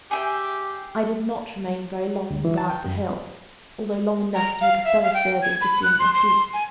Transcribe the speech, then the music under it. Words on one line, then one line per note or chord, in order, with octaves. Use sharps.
I did not remain very long on the brow of the hill, although long enough to make a thorough survey of the scene at my feet.
G4 G#4 E5 G5
D2
E3
A5
G5
F#2
A#5
F5
E5
F5
G5
G#6
B5
F#6
C6
C6
G#5